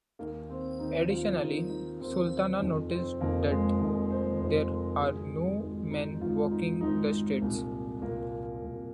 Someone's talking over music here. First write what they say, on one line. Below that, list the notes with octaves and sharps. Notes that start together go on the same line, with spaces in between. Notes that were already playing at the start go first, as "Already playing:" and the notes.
Additionally, Sultana notices that there are no men walking the streets.
D#2 D#3 A#3
C4
D#2 D#3 D#4
F4
D#2 D#3 D#4
D#4
D#2 D#3 C4
F1 F2 D#3
C4
F1 F2 D#3 A#3
G#3
F1 F2 D#3
C5
F1 F2 D#3 C5
A#4
G#1 G#2 D#3 G#4
G#1 G#2 D#3
D#4
G#1 G#2 D#3 F4
D#4
G#1 G#2 D#3 D#4
C2 A#2
C2 A#2 A#3
C2 A#2